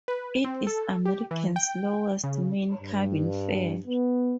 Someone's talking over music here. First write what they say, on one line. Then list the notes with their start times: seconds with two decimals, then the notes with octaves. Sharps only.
It is American's lowest main cabin fare.
0.08 B4
0.45 C4
0.67 A4
1.05 G4
1.31 E3
1.56 G5
2.24 C#3
2.81 G2
3.86 B3